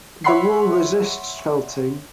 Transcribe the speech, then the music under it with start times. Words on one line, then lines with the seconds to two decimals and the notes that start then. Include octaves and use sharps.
The wool resists felting.
0.24 C#5 E5 F#5 B5 C6 C7